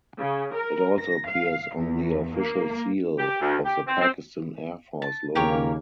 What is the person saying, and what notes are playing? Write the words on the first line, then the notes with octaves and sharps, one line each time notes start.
It also appears on the official seal of the Pakistan Air Force logo.
C#3
A#4
A#6
F5
E2
A#3
G4
D2
G4
C4
C4
A5
D#2 C#3 A#3 G4 A#4 C#5